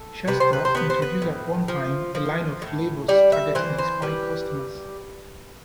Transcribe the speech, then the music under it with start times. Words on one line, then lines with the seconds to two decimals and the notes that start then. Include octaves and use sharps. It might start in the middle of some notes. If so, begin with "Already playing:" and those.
Shasta introduced at one time a line of flavors targeting Hispanic customers.
Already playing: A4
0.28 C3 B4
0.40 C5
0.53 B4
0.65 C5
0.75 B3 B4
0.90 C5
1.02 B4
1.22 A2
1.68 F3
2.15 F3
2.62 A2
3.08 G3 D5
3.32 E5
3.55 E3 C5
3.78 C5
4.02 G3 B4